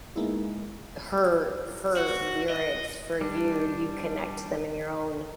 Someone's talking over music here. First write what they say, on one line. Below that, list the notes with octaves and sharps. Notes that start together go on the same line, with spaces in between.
her her lyrics for you, you connect to them in your own
G#3 A#3 B3 D#4 E4 G#4
F#4
D#5
G3 D4